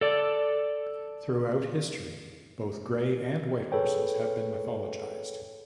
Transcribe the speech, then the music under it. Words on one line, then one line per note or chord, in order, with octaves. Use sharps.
Throughout history, both gray and white horses have been mythologized.
A4 D5
G#4 A4 B4 C#5 G5